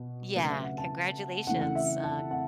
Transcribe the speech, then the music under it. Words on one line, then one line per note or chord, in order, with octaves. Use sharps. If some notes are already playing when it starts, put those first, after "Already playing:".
Yeah, congratulations on
Already playing: B2
C#3 F#3 A3 B4
E5
F#5
A5
C#3 E3 A3 F#5
F#5
E5
A5
F#5